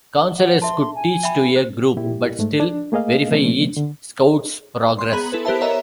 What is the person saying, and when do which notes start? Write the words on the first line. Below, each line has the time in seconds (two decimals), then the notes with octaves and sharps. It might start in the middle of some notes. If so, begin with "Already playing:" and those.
Counselors could teach to a group but still verify each Scout's progress.
0.37 F#5
0.62 E5 A5 C6
0.95 G#5
1.23 E5 G5 B5
1.56 C5
1.97 A#2 E4 G4
2.39 G#2 A3
2.60 D4
2.92 A3 A#3 G#4 D#5 F5
3.31 C3 F3 A3 B3 C#4
3.77 D3
4.99 C6
5.13 B3 G#4 A#5 B5 F#7
5.32 E4 A4 B4
5.45 B3 G4 A#4 C5 E5 A5
5.61 A#4 C#5 D#5 E5 A#5